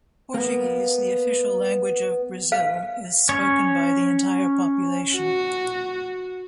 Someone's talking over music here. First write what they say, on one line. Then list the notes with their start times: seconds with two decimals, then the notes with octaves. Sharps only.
Portuguese, the official language of Brazil, is spoken by the entire population.
0.34 A#3 B3
2.52 F5
3.29 C#4 C#5
5.15 F#4